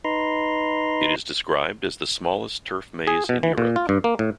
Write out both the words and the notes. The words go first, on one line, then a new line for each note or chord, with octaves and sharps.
It is described as the smallest turf maze in Europe.
D#4 B4 A#5 C6
G#4
B2
E3
A#2
F4
G2
A#3
A2